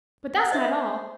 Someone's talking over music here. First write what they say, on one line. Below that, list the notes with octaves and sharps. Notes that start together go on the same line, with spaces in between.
But that's not all.
F#5
C5 D#5 E5